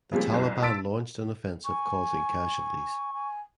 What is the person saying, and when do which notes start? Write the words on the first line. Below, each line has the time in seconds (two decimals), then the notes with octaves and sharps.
The Taliban launched an offensive causing casualties.
0.12 C#3 F3 G3 G#3 A#3 C4
0.32 G1 C2 F#2
0.62 A5 C6 E6 A6 B6 D7
1.65 G#5 C#6
3.14 G#5